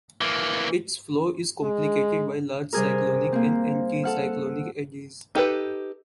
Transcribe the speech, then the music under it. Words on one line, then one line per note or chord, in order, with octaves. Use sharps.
Its flow is complicated by large cyclonic and anticyclonic eddies.
E3 A#3
G#3
C3 G3 G#4 A#4
A#3 C4
A4 F#5 F6
D#4 G4 A4 B4